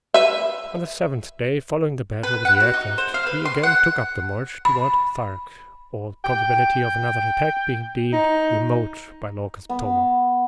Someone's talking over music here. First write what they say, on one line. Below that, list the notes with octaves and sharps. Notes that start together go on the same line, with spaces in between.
On the seventh day following the battle with the air craft we again took up the march toward Thark, all probability of another attack being deemed remote by Lorquas Ptomel.
B4 E5
B4
F#5
F#4
D#4
C5
F5
B4
C6
F#5
B5
G5
D#4
B3